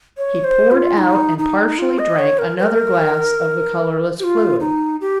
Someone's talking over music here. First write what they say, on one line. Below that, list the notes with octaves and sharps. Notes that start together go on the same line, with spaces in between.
He poured out and partially drank another glass of the colourless fluid.
C#5
C5
F4
D#4
D#4
F4
D#5
C#5
A#4
C5
A#4
G4
F4
D#4
G4